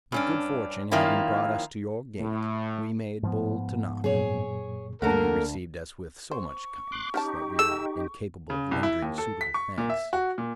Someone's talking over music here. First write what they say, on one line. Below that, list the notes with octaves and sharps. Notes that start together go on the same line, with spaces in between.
But good fortune having brought us to your gate, we made bold to knock, when you received us with so much kindness, that we are incapable of rendering suitable thanks.
G2 C#4 D4
D#3 F3 A#3 C#4 E4
A2
G#2 F3 B3
F#2 A#2 G#4 C#5
D2 A3 A#3 D4 A#4 F#5
C5 C#6
C6 D6 F#6
C#4 D#4 G4 F#5 A5
G#4 A4 E6
C#3
C2
E4
D#2
A4
B6
C#6
A#2
E5
F#4
A#2